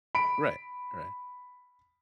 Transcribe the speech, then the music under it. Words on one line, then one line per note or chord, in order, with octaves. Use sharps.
Right, right.
B5 D7